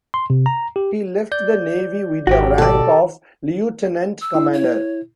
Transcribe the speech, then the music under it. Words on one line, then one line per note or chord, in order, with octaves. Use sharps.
He left the navy with the rank of lieutenant commander.
C6
C3
A#5
G4
D5 G6
G#1 F#4 G4
B2 A4 D5
E6
E4
C#5